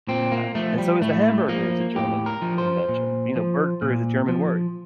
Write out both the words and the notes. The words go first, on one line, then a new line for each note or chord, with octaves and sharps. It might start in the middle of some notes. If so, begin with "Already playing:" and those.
uh and so is the hamburger is a German invention, you know, "burger" is a German word.
A#2 C4
A#3
F3 A3
G3
A2 A3
F3 A#3
A2 G4
A#4
F3
C5
A#2
F3
A#2
F3